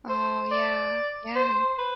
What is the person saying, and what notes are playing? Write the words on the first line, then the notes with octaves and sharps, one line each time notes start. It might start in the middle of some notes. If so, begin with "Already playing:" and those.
Oh, yeah, yeah.
C5
D5
C5
B4